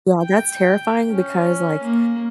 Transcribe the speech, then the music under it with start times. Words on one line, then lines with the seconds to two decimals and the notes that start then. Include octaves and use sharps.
Yeah, that's terrifying because, like,
0.21 G5
1.11 C#4
1.83 A#3